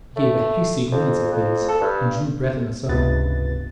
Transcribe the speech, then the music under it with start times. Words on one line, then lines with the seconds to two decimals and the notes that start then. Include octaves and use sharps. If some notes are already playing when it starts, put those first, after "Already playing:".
He gave a hasty glance at these and drew Breton aside.
0.16 A3
0.91 F2
1.32 F2
1.69 A4
1.81 G2
2.89 C#2 G2 C3 B3 B4 A6